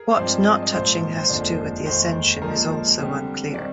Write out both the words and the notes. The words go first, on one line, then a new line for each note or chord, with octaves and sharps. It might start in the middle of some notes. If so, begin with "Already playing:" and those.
What not touching has to do with the ascension is also unclear.
Already playing: G#4 A#4
C5
G2 F3 G#3 C4 D5
D#5
D5
A#1 G#2 F3 C5
C5
F1 D#2 D3 F3 G#3 D5
F1 D#2 D#3 G#3 C5
A#1 A#2 F3 G#3 A#4
D3 G3 C4
D#3 G3 C4 D5